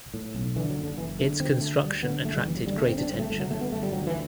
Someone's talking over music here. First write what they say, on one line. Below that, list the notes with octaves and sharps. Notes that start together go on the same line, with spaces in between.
Its construction attracted great attention.
A2
B1
D3 E3
F#3
F#1
D3
F#1 E3
D3 A3
D3 C4
D2 A3
D2 G3
D3 B3
F#1 A3
G3
F#1 E3
F#3
D3 G3
A3
F#1 C4
D4
G1 C4
A3
G1 A3
F#3
G1 A3
B3
G1 A3
G3
D2 F#3
E3